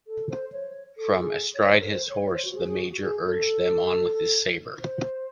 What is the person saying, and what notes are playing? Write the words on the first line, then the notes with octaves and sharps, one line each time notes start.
From astride his horse, the major urged them on with his saber.
A4
C5
C#5
A4
G#4
C#5
C5
A4
C5
C#5
C5
F#4
G#4
G#4
F#4
G#4
A4
C5